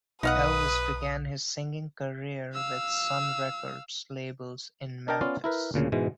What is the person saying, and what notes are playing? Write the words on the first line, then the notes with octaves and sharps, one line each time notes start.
Elvis began his singing career with Sun Records label in Memphis.
B1 D#4 B4 F5 F#5 D#6
F5 E6
D4 A#4 D#5 G5 A5 A#5
B3 C#4 F4 D5 F5
E4 A#4 B4
D2 A#2 C#3
G#2 B2 E3 G#3